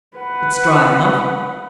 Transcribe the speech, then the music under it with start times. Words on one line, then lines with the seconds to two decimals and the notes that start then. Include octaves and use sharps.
It's dry enough.
0.17 B4 F#5